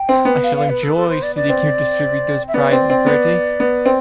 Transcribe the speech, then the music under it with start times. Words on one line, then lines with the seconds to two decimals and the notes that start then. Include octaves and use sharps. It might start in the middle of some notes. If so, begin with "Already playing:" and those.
I shall enjoy seeing you distribute those prizes, Bertie.
Already playing: G5
0.09 C4
0.25 B3
0.43 F5
0.57 F5
0.70 B4
0.83 A4
0.96 A4
1.09 C5
1.23 D5
1.36 D5
1.49 C4
2.48 E5
2.54 B3 D5
2.72 C4
2.90 C4
3.06 B3
3.60 B3
3.85 C4